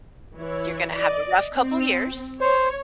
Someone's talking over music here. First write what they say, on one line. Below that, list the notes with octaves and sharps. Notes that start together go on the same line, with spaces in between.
you're gonna have a rough couple of years"
E3 E4 C#5
D5 D#5
C4
C5 C#5